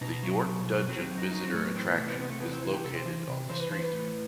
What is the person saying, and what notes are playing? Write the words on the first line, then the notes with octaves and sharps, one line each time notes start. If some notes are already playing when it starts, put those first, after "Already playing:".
The York Dungeon visitor attraction is located on the street.
B2 D#4
F#3
B2
F#3
F#3 C4
C4
F#3
D#4
F#3 D#4
C4
A2 A3
B3
E3 C4
B3
C3 A3
B3
C3 B3
A3
E3 B3
C4
E3
G4
C3 A4
C5
E3
C3
E3 C5
B4
E3 C5
B4
A2